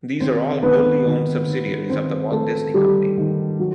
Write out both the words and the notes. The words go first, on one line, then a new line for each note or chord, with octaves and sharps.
These are all wholly owned subsidiaries of The Walt Disney Company.
D#3 C4 C5
D#3 B3 B4
D#3
D#3
D#3 C4 C5
D#3 A3 A4
D#3 G3 G4
D#3
F#3